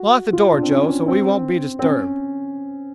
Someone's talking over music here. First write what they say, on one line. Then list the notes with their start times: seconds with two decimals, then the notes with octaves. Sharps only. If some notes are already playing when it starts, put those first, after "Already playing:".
Lock the door, Joe, so we won't be disturbed.
Already playing: F#4
0.33 F4
0.52 D4
0.62 C4
0.71 C#4
1.08 C4
1.79 C4
1.83 C#4